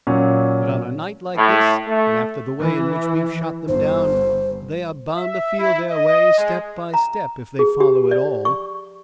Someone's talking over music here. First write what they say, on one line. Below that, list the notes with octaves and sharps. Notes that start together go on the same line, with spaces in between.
But on a night like this, and after the way in which we have shot them down, they are bound to feel their way step by step if they follow at all.
A#2 F#3 C#4
A2
A3
E3
G1 C5
E5
E4
D#5
G#3
A#5
G#4
G4
D5
C#6